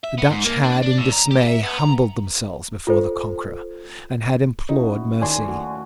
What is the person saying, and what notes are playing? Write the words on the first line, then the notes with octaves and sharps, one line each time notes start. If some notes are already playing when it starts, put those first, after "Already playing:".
The Dutch had in dismay humbled themselves before the conqueror, and had implored mercy.
E5
B3
G#2
A#3
D4
D4
A2
A#5
G4
E5
B3
A#5
F4 A4 C5
C#4 D#4 E4 F#4
D#2 D5 G#5 C6
A3 F#4